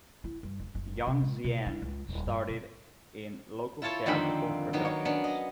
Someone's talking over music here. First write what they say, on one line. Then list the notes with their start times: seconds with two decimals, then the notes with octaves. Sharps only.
Young Zien started in local theatrical productions.
0.24 E4
0.43 G2
0.60 E1
0.75 F#1
1.07 C3
1.21 G#3
1.44 B2
1.66 E4
1.82 C#2
2.09 D#1
2.26 G2
2.48 B2
3.82 E4 F4 A4 C#5 A5
4.06 F2 D3 D#3 A#3 C4 B5
4.73 D#3 F#3 A#3 B3
4.85 C#5
5.05 B3 C#4 D4
5.24 D#5